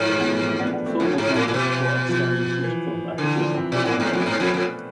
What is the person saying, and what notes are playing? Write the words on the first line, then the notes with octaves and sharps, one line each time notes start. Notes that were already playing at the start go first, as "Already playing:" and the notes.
The film was nominated for Outstanding Feature Film at the German Film Awards.
Already playing: G#2 F3
E3 G#3
B3
F3 A3
A3 C4
B3 D4
B3 D4
A3 C4
F2 F3
G#2
A2
A2
B2
F3
E3
D3 E3
F3
C4 E4
B2 D4
C4
A2 B3
G#2 A3 C4
F2
G#2
F2
F2